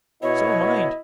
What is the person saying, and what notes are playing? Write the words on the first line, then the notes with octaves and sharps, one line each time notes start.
So mind.
B2 E4 C#5 D#5